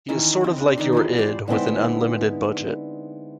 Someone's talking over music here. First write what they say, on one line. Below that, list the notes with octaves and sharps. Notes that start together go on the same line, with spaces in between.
He is sort of like your id with an unlimited budget.
D#3 E3 C#4
E3 C4
D4
D#3 D#4 C6
E3 F3 G3
C5 D5
D3 G#3 B3 C4 D#4 E4